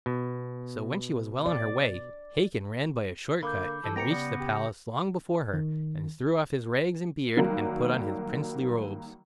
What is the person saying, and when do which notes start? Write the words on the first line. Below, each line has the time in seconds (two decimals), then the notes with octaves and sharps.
So when she was well on her way, Hacon ran by a short cut and reached the palace long before her, and threw off his rags and beard, and put on his princely robes.
0.06 B2
1.46 D5
3.43 D3 A#3 B5 D6 G6
3.84 E3 F3 A4
3.96 C2 E3 B3 G5 A#5 A#6 C#7
4.10 C#3 G3 B3
4.40 G4
5.53 D#3
7.37 D#3 F#3 G3 A#3